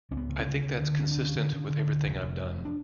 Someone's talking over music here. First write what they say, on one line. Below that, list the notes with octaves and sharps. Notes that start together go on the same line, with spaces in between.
I think that's consistent with everything I've done.
C#2 C#4
B3
C#2
C#4
C#3
D2
D3
D2 C#4
D4
D3
C#4
D3
D3
D3
D2
F1
F1
F2
F1
D4